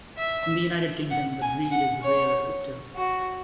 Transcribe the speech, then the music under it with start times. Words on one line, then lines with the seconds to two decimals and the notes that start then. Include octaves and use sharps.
In the United Kingdom, the breed is rarer still.
0.18 E5
1.11 F#5
1.41 G#5
1.71 F#5
2.03 C#5
2.95 F#4